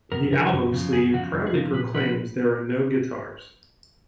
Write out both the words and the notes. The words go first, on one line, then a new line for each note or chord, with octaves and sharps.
The album sleeve proudly proclaims There are no guitars.
F#2 A#4
C#3 F3 A#4
F#2
C#3 F3
F#2 G#4
C#3 F3 F#4
F#2
G#4
C#3 F3 A#4
A#2 B4
F3 B3 B4